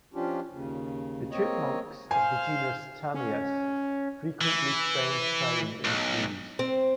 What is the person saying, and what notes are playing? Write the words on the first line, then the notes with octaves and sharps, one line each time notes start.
The chipmunks of the genus "Tamias" frequently spend time in trees.
F3 C#4 D4 F4 G4
D#2 C#3
A#3 C4 C#5 D#5
C5 F5 G#5
C#4
E3
B1
C4